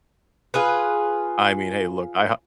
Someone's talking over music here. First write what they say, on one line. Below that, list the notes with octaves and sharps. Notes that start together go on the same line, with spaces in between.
I mean, hey look, I ho
F4 G#4 B4